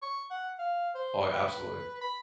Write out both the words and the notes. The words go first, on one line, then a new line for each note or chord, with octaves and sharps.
Oh, absolutely.
C#6
F#5
F5
C5
B4
B5